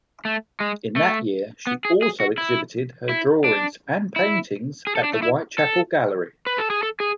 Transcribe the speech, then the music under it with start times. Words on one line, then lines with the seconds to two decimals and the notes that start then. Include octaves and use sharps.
In that year she also exhibited her drawings and paintings at the Whitechapel Gallery.
0.25 A3
0.60 G#3
0.96 A3
1.67 B3
1.85 G#4
2.02 G#4
2.20 F#4
2.38 E4
3.09 E4
3.44 D4
4.16 E4
4.87 G#4
4.95 A4
5.04 D4
5.13 A3
5.22 E4
5.58 A4
6.47 B4
6.58 A4
6.70 G#4
6.83 A4
7.00 G#4